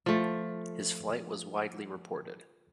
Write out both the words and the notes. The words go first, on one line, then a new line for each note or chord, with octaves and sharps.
His flight was widely reported.
F3 A3